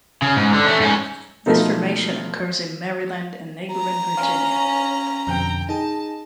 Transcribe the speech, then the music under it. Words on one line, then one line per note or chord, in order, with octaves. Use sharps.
This formation occurs in Maryland and neighboring Virginia.
C#3
G#2
D3
A3 C#4
G#2 C#4
B2 F3 A3 D#4
A#5
C#4 F5 C#6
F2 B2 D3 G5
D#4 G#4 A5